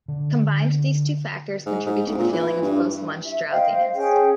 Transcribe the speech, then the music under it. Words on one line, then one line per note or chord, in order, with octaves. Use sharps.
Combined, these two factors contribute to the feeling of post-lunch drowsiness.
D3
G#2
G#2
D1
A#2
E3
G2
E5
C5 D#5 F5 G5
C#4 G#4 G5